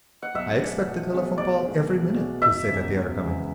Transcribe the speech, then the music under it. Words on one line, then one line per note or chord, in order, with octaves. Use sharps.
I expect a telephone call every minute to say that they are coming.
F#5
B1 E5
B2 A3 D4 G#4
B1
B2 A3 D4 G#4
B1 D5
B2 A3 D4 G#4
B1
B2 A3 D4 G#4
E1 E5
E2 C#3 G#3
E1
E2 C#3 G#3